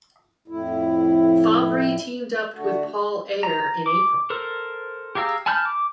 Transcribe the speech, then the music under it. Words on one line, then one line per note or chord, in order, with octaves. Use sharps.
Fabbri teamed up with Paul Ayer in April.
F2 A2 E4
D3 A3 F#4
A#5
D6
A4 A#4 C5
G4 G#4 F5 A#5 E6
G#5 A5 B5 F6 G6
D6